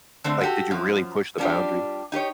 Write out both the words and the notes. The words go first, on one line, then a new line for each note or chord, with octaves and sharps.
Like, did you really push the boundary?
D3 A3 C4
F#4 G4 A4
F#2 F3
G3 A#3 C#4 D4 F4 G4
D#4 G4 C5 C#5